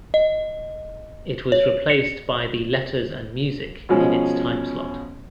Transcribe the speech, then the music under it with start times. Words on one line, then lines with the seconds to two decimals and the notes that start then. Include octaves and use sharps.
It was replaced by the "Letters and Music" in its timeslot.
0.14 D#5
1.52 C#5
1.90 C#7
3.89 B2 F3 G#3 C#4